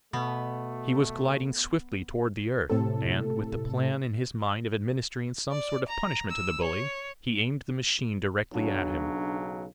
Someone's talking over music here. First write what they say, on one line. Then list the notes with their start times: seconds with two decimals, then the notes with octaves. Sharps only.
He was gliding swiftly toward the earth, and, with the plan in his mind of administering some sort of punishment to the bully, he aimed the machine directly at him.
0.13 B2 A3 B3
2.70 A2 C3 A4
5.51 D5
5.89 A#5
6.30 E6
6.63 C#5
8.52 B1 C#3 F#3 D4